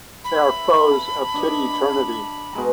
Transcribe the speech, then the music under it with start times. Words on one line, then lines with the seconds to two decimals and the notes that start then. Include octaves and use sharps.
They are foes of Kid Eternity.
0.24 B5
0.36 E5
0.91 A5
1.34 D4 D#5
2.53 B2 G#3 A#5